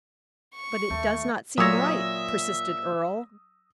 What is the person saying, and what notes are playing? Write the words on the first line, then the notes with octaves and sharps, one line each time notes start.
"But it does not seem right," persisted Earle.
C#6
D#2 A3
A#2 F#3 C#5 E5 D#6 E6 A#6